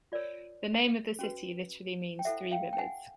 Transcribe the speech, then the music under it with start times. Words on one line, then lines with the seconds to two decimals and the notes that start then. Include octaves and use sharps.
The name of the city literally means "Three Rivers".
0.12 F4 A#4 C#5 D5
1.19 C#4 F#4 B4
2.19 G5
2.25 E4 A4 C5 E5 F#5
2.51 F5 G5
2.73 G5
2.78 F#5 G#5